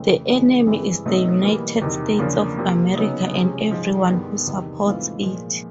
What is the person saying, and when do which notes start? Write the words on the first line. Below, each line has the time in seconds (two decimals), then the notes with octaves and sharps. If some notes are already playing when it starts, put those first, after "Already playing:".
The enemy is the United States of America and everyone who supports it.
Already playing: F2 C#3 E3 A3
0.29 C#3 E3 G#3 B3 D#4
0.67 G2 E3 G#3 C4 E4
1.06 B2 F#3 A3 C4 D#4
1.43 E3 G3 A#3
1.82 E2 C3 D#3
2.19 E2 C#3 F3 A#3 D4
2.57 C3 F3 A#3
2.95 C#3 F#3 B3 D#4
3.32 C3 F3 G#3 C#4
3.70 G#2 F3 G#3
4.09 G2 D#3 G#3 B3
4.47 E2 C3 D#3
4.86 G#2 E3 A3 C4 F4
5.23 A#2 F3 G#3